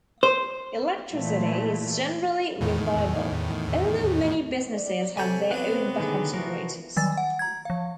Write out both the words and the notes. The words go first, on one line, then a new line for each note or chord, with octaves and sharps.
Electricity is generally reliable, although many businesses have their own backup generators.
C5
A#2 E3 A3
E2 A2 D#3
D5
C3 A3 C#5 D5 G#5 G6
C3 F#3 B3 C4 D4 B4
D3 D#3 G#4
E3 F3 F#4 A#4
D#3 F#3 G3 G#5 E6 A6
F#5
A#5 G#6
F3 F5